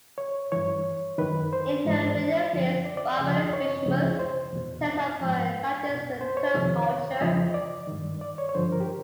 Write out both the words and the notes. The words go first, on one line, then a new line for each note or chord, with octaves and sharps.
In her radio plays, Barbara Frischmuth tells of her encounters with Turk culture.
C#5
G2 E3 C#5
F#2 D#3 B4
C5
G#2 E3
F#2 D3 F3
D5
D5
D#2 C#3 F3 D5
D#5
C#5
D2 C#3 F3
C5
E2 B2
G#2 F3
C2 B2
C5
C#5
F2 C3 D#3
E2 C#3 F3 D#5
D5
G2 D#3
D5
C#5
C#5
G2 D3 F3 C5
A#4
G4